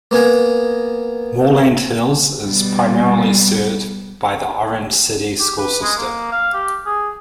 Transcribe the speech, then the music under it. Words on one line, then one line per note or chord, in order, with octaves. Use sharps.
Moreland Hills is primarily served by the Orange City School System.
A#3 B3 G#5 A#5
B2 G3
G4
B4
G#3
A#3
F5
G4
G#4